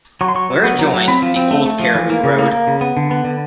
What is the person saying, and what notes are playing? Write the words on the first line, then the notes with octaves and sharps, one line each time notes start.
Where it joined the old cariboo road.
F#3 C#6
C6
F#3 C#6
F#3
B3
F#3
F#3
C4 B5
F3
C4
A3
A3
F3
E3
A#3
C#3
A#3
A#3
C#3
B3
D3
B3
D3